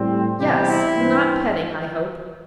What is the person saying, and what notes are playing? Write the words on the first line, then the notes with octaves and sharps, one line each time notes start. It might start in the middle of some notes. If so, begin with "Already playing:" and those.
Yes; not petting, I hope.
Already playing: A2 G3 C4
E2 C3 G3 C4 G4
E4
G2 E3 C4